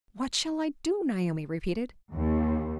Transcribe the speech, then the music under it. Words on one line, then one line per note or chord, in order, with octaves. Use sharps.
"What shall I do?" Naomi repeated.
D#2